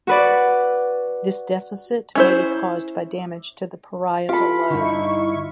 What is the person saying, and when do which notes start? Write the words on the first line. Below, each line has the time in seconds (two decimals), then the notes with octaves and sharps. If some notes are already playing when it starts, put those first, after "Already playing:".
This deficit may be caused by damage to the parietal lobe.
0.07 F#4 B4 D5
2.15 C#4 E4 C5
4.29 F4 G4 A4 B5
4.70 G2 D3 D#4 E4 C#6